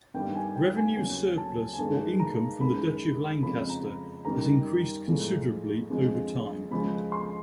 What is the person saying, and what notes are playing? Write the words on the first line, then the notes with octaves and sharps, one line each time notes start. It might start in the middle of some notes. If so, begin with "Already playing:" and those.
Revenue surplus or income from the Duchy of Lancaster has increased considerably over time.
G2 D#3 G3 G5
G#5
G5
G#5
D#2 C#3 F#3 G#5
A5
G#5
G2 D#3 G#3 A5
A#5
F#2 D#3 G#3 B5
F2 C#3 F3 G#3 B5
A#5
F#2 D#3 G3 A#5
A2 F3 G#3
F2 D3 F3 G#3
C#2 C#3 F3 G#3 B5
C6